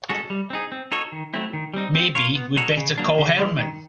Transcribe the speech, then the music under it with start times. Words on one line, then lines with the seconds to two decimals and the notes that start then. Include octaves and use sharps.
Maybe we'd better call Herman.
0.09 G#3 C#4 F#4 A4
0.30 G3
0.50 C4 D#4 G#4
0.72 C4
0.92 D#4 F#4 A4 C#5
1.12 D#3
1.34 F#3 A3 C4 E4
1.53 D#3
1.74 G3 C4 D#4
1.95 C4
2.15 F4 A#4 C#5
2.35 B3
2.57 D#4 F#4 A4 C#5
2.77 C#3
2.98 F#3 A#3 D4
3.18 C#3
3.39 E3 G#3
3.59 D#3